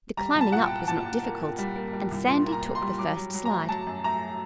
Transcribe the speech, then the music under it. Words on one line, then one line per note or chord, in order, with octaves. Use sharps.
The climbing up was not difficult and Sandy took the first slide.
G3 A#5
C2
A5
A#2 F#5
G5
A#2
A#2 A5
A#2
A#3
A#2
G3
A#3
G3
C2
A#2 C6
A#3
A#5
A#3
C6
G3
F#3 D6
F#3
F#3
A#5
A3
F#3 A5
F#2
A3 A#5